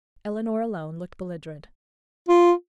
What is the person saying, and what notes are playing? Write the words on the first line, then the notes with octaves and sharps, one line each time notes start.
Eleanor alone looked belligerent.
F4